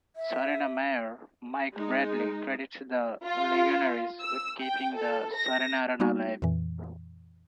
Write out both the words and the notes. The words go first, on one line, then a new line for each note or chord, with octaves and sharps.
Sarnia Mayor Mike Bradley credits the Legionnaires with keeping the Sarnia Arena alive.
E5
G#3 D#4
F4
E6
G5
A4
A#6
G3 A#3 B3 D#4 F#4
F2 A#2 E3